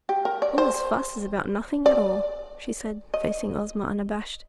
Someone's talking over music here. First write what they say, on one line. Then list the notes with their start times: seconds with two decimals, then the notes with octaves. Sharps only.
"All this fuss is about nothing at all," she said, facing Ozma unabashed.
0.09 G4
0.25 A#4
0.42 D5
0.58 C5
1.86 D5
3.14 D#5